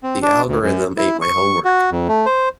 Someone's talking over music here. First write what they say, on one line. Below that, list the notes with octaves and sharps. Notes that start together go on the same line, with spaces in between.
The algorithm ate my homework.
C4
D4
D2
F#2
E4
C#6
F#4
F2
A3
C5